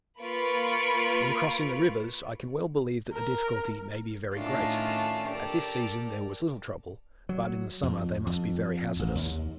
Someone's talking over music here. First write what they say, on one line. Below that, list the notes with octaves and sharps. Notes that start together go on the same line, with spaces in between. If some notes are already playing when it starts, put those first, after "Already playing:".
In crossing the rivers I can well believe that the difficulty may be very great: at this season there was little trouble, but in the summer they must be very hazardous.
A#3 F4 B4 B5 C#6 D7
A#4
A2 D#3 A3 C#4 D4 F4
G4 A4 A#4 D5
F#3
F2
F2
A1
D#2